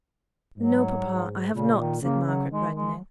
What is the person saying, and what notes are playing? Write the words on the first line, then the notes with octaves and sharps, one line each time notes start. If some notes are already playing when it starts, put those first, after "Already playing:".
'No, papa; I have not,' said Margaret, reddening.
G#2 F#3
G#2
A#2 C#3
D#3
C#3 A#3
F#3
D#3 G#3
G#3